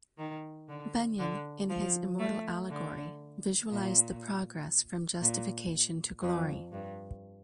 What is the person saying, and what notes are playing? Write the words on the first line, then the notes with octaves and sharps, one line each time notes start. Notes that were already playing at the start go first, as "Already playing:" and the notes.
Bunyan, in his immortal allegory, visualized the progress from justification to glory.
D#3
D3
D3
F3
A3
D3
A#2
A#2
F2
G2